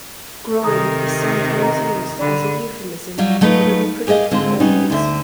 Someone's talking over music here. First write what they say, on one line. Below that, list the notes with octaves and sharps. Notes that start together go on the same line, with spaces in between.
'Groin' is sometimes used as a euphemism for the reproductive organs.
C3 D#3 A4 A#5 D#6
D#5 A#5
D3 D5 B5
F#3 G3 F4 F#4
F#3 A3 D#4 F4 B4
G4 G#4 C5 D#5 F5
G#2 D3 G#3 C4 F4
C3 G3 B3 C#4 D#4
D2 D3 E5